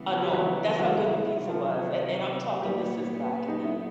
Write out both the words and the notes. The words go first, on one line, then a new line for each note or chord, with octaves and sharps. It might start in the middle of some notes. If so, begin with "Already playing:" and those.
I know. That's how good the pizza was, and and I'm talking this is back in the
Already playing: C#3 E3 G3 B3
F3 F4
G4
F#3 F#4
E4
F#3 F#4
E4
C3 D#3 F#3 E4
F3 F4
A#2 F#3 G3 B3 G4
D#4
E4